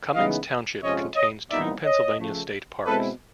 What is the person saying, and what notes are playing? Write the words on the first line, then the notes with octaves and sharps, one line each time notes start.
Cummings Township contains two Pennsylvania state parks.
C#3 E3 G#3 B3 D#4 D#5 F5
F2 C3 F3 G#3 C#4 C#5 D#5
C#5 D#5
C2 A#2 G3 B3 D#4 D5 E5
C#5 D#5
C#3 F3 A3
B2 G#3 C4 E4 A4 B4